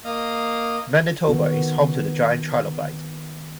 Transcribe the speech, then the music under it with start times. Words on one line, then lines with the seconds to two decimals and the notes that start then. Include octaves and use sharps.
Manitoba is home to the giant trilobite.
0.04 A#3 D#5 F5
1.27 D#3 B3 F#4